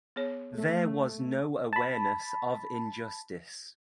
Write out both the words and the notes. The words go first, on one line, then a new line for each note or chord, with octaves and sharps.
There was no awareness of injustice.
B3 G#4 C#5
A3
A5 B5